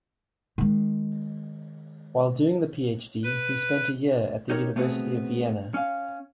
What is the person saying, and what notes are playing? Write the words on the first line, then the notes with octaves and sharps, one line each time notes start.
While doing the Ph.D., he spent a year at the University of Vienna.
D#3 G#3
B4
D#4 G4 A#4 C#5
A3 B3 C4 F4 F#4 G#4
C#4 F5